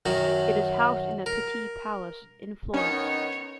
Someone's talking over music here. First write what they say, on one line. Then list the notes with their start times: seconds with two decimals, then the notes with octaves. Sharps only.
It is housed in the Pitti Palace in Florence.
0.06 F#2 D#3 F#3 F#4
1.26 A#4
2.74 D#3 B3 C#4 D#4 C#5